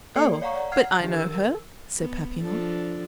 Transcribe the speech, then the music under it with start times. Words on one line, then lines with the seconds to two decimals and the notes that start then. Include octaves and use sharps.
"Oh, but I know her!" said Papillon.
0.16 A#3 A4 D5 C7 C#7
0.41 C#5 D5 F5 F#5 A#5 C#6
0.72 F#5 F6 G#6 C7
1.00 D#3 F3 D4 G4
1.13 A#4 E6
1.99 B3
2.41 F3 D4 A4